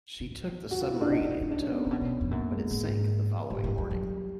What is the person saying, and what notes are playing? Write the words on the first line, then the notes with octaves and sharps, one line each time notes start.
She took the submarine in tow, but it sank the following morning.
D3
D#3
F#4
F4
E4
D4
D#3 D#4
D3
C#3
C#3
C3 D4
C#4
B3
C4
A#2
B2 B3
B2
F2
F#2 A#3
G#3
G#2
A2 G3
G#2
F#2
F#2